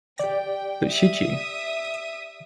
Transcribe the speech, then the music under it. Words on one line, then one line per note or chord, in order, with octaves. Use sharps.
But should you?
G4 D5 G5
E5 D#6